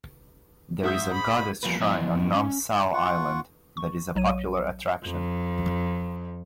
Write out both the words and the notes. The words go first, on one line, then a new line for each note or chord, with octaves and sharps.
There is a goddess shrine on Nom Sao Island that is a popular attraction.
G#2 E5 D#6 G6
B5
E2 F3 G3 A#3 B4
F3 B3 E4 D#5
C#4
F4 F#5 C#6
C#6
B1 F#3 C#5 D#7
F2